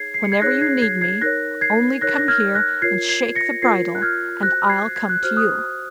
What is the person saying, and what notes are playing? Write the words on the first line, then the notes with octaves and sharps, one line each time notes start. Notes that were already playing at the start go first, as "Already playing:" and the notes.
Whenever you need me, only come here and shake the bridle, and I'll come to you.'
Already playing: D#4 G#4 C#5 G#6 C7
C7
C#7
G#6 C7
D#4 G#4 C#5 F#6 A#6
G#6 C7
G#6 C7
G#6 C7
D#4 A#4 C#5 F#6 A#6
G#6 C7
D#4 A#4 C#5 F#6 A#6
A#6
F6 G#6
F#6 A#6
F4 A#4 C#5 G#6 C7
G#6 C7
A#6 C#7
F4 A#4 C#5 G#6 C7
F#6
F6 G#6
F#4 C5 F#6 A#6
G#6 C7
G#6
F#6
F#4 C5 F6
D#6 F#6